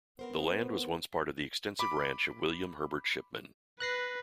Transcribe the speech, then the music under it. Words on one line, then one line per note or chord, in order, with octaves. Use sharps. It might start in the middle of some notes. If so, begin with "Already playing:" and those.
The land was once part of the extensive ranch of William Herbert Shipman.
B3 C4 A#4 C5
B5 D6
B4 F#6 A#6 C7